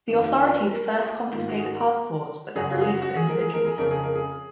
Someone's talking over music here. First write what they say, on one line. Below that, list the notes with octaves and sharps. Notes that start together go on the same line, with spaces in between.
The authorities first confiscate the passports but then release the individuals.
F2 D#3
F#4
F4
B4
A#4
G#4
G#2 D#3 F4
F#4
G#4
F#4
A#4
F#2 C#3 G#4
F4
G#4
F#4
F#4
G#4
A#4
G#4
A#4
G#4
F2 C#3 A#4
G#4
A#4
G#4